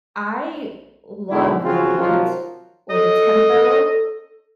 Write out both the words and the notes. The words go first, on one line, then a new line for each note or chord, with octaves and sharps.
I love the beat or the tempo,
G#1 B2 D3 D#3 G#3 E4
C#3 C4 F4 F#4 G#4
C3 D#3 F3 F#3 F4 A#4
A4 D#5